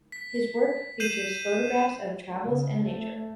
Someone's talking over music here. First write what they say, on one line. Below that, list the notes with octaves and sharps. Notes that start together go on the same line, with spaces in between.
His work features photographs of travels and nature.
B6
G6 C7 D#7 E7 F#7
C#3
A3